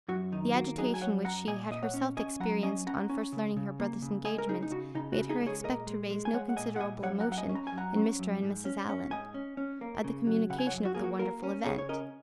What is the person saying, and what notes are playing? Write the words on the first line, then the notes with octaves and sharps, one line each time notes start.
The agitation which she had herself experienced on first learning her brother's engagement made her expect to raise no inconsiderable emotion in Mr. and Mrs. Allen, by the communication of the wonderful event.
F#2 F#4
D#3 D#4
A#3 F#4
F#3 D#4 G#4
G#5
F#2 C#5 F#5
F#2 F#5 A#5
A#2 D#5 G#5
A#2 D#5
C#5 F#5
C#4
C#4 D#5 G#5
F#3 F#5 A#5
C#4 D#5 G#5
C#4 F#5 A#5
C#4
C#3
C#3
A#3
C#3
G#3 D#5 G#5
A#4
C#3 D#4 G#4
D#4
C#3 F#4
C#3 D#4
F#4
C#3
D#4 G#4
G#3
G#4 C#5
A#2 A#4 D#5
G#3
G#3
G#5
G#3 C#5 F#5
F#5
A#2 D#5 G#5
F#5
A#2 D#5 G#5
F#2 C#5 F#5
F#5 A#5
F#2
F#5
D#5 G#5
C#4
A#5
G#5
F#2
F#5 A#5
C#4
F#2
G#2
C#4
C#4
G#2 D#5 G#5
C#4
C#4
A#3
C#3
F#3
C#3 F#5
G#5
C#5 F#5
F#2
F#4
A#3 G#4
F#4
A#3 F#4 A#4
C#4
C#3 G#4 C#5
C#5
C#4 A#4 D#5